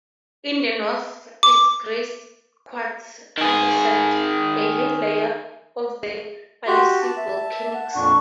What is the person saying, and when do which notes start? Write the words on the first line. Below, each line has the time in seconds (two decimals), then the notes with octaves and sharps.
In the north is grey quartz andesite, a higher layer of the Ainslie Volcanics.
1.43 D6
3.38 D#3 G#4
6.67 F#4 G4 C6
7.02 F#4 A5
7.17 E5
7.73 F#5
7.95 F2 A#2 D4 C#6